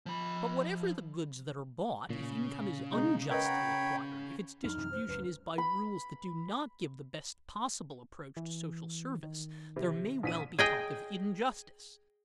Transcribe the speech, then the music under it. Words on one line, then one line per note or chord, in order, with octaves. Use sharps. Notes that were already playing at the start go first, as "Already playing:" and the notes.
But whatever the goods that are bought, if income is unjustly acquired, if its distribution is by rules that do not give the best possible approach to social service, there may well be talk of injustice.
F3 B5
A#2 C#3
B2 G#3 D#4
A#4 B4 C#5 D#5 G5 B5
F#5 A#5
F2 F#3 D4 D#4 F6
F#2 C3 E3
C5
C#2 F#2 B4
B5
E3
D#3
C3
A#1 B6 D#7
G#4 D#5 G5